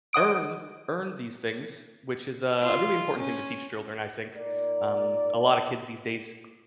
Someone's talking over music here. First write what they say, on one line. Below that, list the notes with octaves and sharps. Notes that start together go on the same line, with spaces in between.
earn earn these things," which is, uh, a really important thing to teach children, I think. Um, a lotta kids these days,
D#5 F#5 D#6 D7
F4
C#4
A#2 D#4 A#4 D5